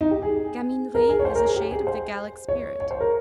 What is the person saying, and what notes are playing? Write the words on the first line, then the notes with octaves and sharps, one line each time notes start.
Gaminerie is a shade of the Gallic spirit.
D#4
G4
G#4
A#4
G#4
C#5
C5
A#4
G#4
G4
G#4
C5
C#5
C#5
C5
A#4